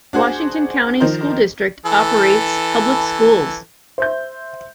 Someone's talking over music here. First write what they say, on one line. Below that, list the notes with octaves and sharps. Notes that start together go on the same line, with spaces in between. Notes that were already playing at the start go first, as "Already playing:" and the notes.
Washington County School District operates public schools.
D4 F#4 G#4 C5
D#3 F3 D#4 A#4 C5
E3 A4
C5 E5 G6